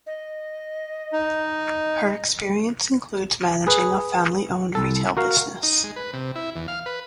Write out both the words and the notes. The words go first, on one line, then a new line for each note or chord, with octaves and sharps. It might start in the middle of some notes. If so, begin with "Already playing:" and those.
Her experience includes managing a family-owned retail business.
D#5
D#4
G#4 B4
C2 A4
F#4 A#4 F5
D#4
G#3
B4
C3
E4
E2
F5
B4